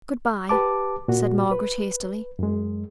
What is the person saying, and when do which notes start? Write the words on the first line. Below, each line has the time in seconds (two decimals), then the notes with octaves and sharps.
'Good-bye!' said Margaret, hastily.
0.49 G4 B4 A5 D6
1.08 A#2 F#4
1.51 B4
2.39 F#2 G#3